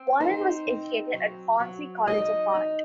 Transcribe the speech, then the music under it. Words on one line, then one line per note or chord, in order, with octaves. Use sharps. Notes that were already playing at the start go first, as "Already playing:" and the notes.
Warren was educated at Hornsey College of Art.
Already playing: C4
D#4 C5
C4
F#3
F#3
D#4 D#5
D#4